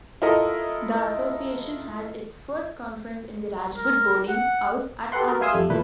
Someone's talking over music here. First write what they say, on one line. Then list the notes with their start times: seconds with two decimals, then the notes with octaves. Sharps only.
The association had its first conference in the Rajput Boarding House at Agra.
0.22 E4 F4 A4 A#4 D#5
3.77 A#4
4.29 F#5
5.12 G4 A4 B4 F#5 C6
5.27 F#4 A#4 B4
5.41 E5 F5 G#5 C6 D#6 E6
5.53 F2 G3 A3
5.70 E2 A#2 E3 A3 B4